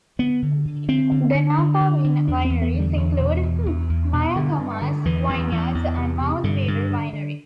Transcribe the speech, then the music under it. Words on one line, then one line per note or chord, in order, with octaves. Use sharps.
The Napa wineries included Mayacamas Vineyards and Mount Veeder Winery.
D3 B3
D3
D3
D3 C4
D3
D3
D3
D3
D3
E2 D4
C4
E2
B3
D3
G3
E2
B2
E2
E2
E2
B2
G2 D3
G2
D3
E2 E3
E2
E2
E2
C3
C3
G2 D3
G2
D3
D3